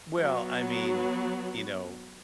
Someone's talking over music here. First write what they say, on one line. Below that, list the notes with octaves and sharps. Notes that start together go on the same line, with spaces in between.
Well, I mean, you know.
F#3 B3 F#4